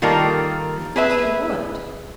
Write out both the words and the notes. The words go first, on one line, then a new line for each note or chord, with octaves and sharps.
"I think you would."
D#3 G3 A#3 F4 A4 A#4
G#4 B4 E5